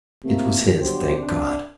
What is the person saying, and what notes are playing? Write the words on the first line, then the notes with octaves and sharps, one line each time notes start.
It was his, thank God!
C3 F3 A3 A#3
G1 G2 F#3 G4 C5
C3 D4